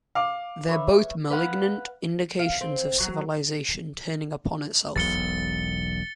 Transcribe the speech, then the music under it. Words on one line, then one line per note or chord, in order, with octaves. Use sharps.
They're both malignant indications of civilisation turning upon itself.
F5 D6
B4 C#5 E5
B4 F5 F#5
F5
C4
F#3
E1 B1 A6 C#7 G7